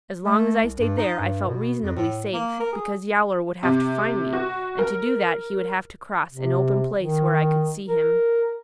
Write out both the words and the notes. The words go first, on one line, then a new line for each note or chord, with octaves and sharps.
As long as I stayed there I felt reasonably safe, because Yowler would have to find me, and to do that he would have to cross an open place where I could see him.
A3
C2
G2
D#4
G2
B2
F2
A2
A#3
A#4
G#4
C3
F#4
A#4
C3
D#3
A#4